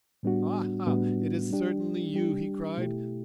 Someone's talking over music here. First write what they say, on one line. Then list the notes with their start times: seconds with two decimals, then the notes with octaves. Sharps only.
"Ah, it is certainly you!" he cried.
0.23 A2 G3 B3 D4 F#4
0.87 A2 G3 B3 D4 F#4
1.50 G3 D4 G4
2.14 G3 D4 G4
2.77 B2 A3 E4 G4